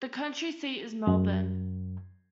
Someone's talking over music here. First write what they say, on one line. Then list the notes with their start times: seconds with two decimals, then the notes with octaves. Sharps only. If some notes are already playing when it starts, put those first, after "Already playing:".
The county seat is Melbourne.
1.07 F#2